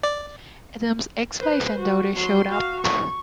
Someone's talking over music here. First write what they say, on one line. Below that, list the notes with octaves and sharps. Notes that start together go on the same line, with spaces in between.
Adam's ex-wife and daughter showed up.
D5
B4 C5
F#4
F#3 C6
F#4 F5
C#6